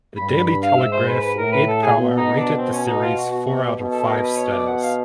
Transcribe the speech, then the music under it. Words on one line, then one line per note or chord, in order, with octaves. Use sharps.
The Daily Telegraph Ed Power rated the series four out of five stars.
G2 B5
B5
B5
F5
G#2 E5
C5
B4
B4
A2 A#4
B4
A4
G#4
B2
D#4
D#4
D4
C4
C#4
D#4
F4
F#4
F#4
F#4
G4
B2
A4
A#4
B4
C#5
D5
F#5
F5